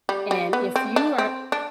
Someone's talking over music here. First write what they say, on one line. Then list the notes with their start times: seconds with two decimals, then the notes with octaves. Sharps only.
and if you are
0.09 G3
0.31 G3
0.53 B3
0.76 C4
0.96 D4
1.18 C4
1.52 D4